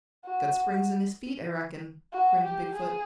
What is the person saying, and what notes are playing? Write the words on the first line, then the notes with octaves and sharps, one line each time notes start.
"Got springs in his feet, I reckon," grinned Big-foot.
F#4
F#4
G4
G#4